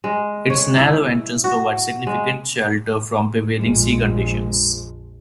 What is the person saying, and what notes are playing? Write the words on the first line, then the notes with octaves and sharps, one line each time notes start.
Its narrow entrance provides significant shelter from prevailing sea conditions.
G#3
C#5
E4
F#4
G#3
A#1 F2 F3 G#3